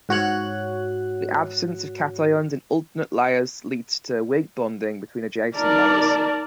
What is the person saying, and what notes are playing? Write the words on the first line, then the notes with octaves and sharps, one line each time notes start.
The absence of cations in alternate layers leads to weak bonding between adjacent layers.
G#2 F#4 C#5 F#6
D#4 A#4 D5 A5